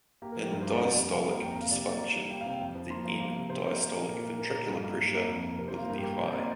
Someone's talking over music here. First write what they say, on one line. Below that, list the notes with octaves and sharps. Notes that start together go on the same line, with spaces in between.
In diastolic dysfunction, the end-diastolic ventricular pressure will be high.
A#3 G4
A#4
F3
G4
G2 A#4
C5
A#3
D5
F2
G3
C3 F5
A#3
F2 G5
A#5
A#3 F5
C3 D5
A#3
A#3
G3
A#3 G5
F5
C3 G5
F2
F3
A#3 C6
F3 A#5
A#3 F5
C3
C3 C5
A#3
A#3
A#2
A#2 A#4
A#3
A#2 A#4
A#3
G2
A#3
G2
A#3
F2
A#3
C3 A#4
C5
A#3 F5
G2 A#4
G4
A#3 A#4
C3 A#4
C5
A#3 D5